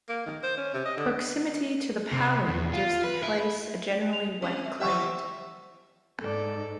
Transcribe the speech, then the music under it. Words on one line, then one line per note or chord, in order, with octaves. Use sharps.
Proximity to the "pali" gives the place a generally wet climate.
A#3
D#3
C5
C#4
C3
D#5
D3
C3
E2
F4
B4
E4
F7
C4
E5
E3 C4 G4 E5 F#5 C#6
G#2 A4 D5